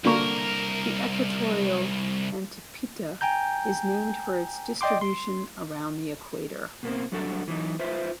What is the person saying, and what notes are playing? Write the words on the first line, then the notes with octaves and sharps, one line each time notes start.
The Equatorial antpitta is named for its distribution around the Equator.
C2 D3 A#3 A#4 C#6
G5 G#5 A#5 G6
D5 D#5 G5 C6 D6
C6
B2 A#3 C4
G2 F#3 D4 F#4 A4 F#5
E3 F#3 D#4
F4 B4 C5 E5